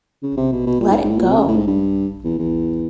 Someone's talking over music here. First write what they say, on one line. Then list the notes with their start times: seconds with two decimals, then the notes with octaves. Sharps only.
Let it go.
0.23 C#3
0.37 C3
0.52 B2
0.66 B2
0.80 A#2
0.90 G#2
1.04 G#2
1.10 A2
1.19 A#2
1.28 C3
1.38 C#3
1.48 A2
1.57 G#2
1.67 G2
2.24 E2
2.39 E2